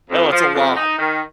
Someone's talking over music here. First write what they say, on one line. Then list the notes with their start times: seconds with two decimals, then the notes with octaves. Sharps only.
Oh, it's a lot.
0.10 F2
0.32 F3
0.55 F2
0.76 D#4
0.99 D#3